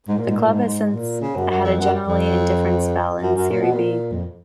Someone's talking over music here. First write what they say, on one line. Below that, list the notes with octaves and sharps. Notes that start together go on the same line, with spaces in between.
The club has since had a generally indifferent spell in Serie B.
G#2
A#2
G#2
A#2
G#2
G#2
A#2
C#3
F#2
F#2
F2
F#2
F2
F#2
F#2
A#2
B2
A#2
F2